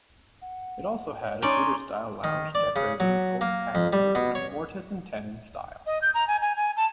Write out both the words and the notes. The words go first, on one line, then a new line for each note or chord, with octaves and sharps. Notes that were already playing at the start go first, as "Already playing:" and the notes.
It also had a Tudor-style lounge decorated in oak paneling in a mortise-and-tenon style.
F#5
C#5
C#4 D#4 D5 C6
D#3
D5
C#3
F#3
A#3
F2
G3
B2
C#5
D#5
G6
A#5
G#5
G#5
G#5
A5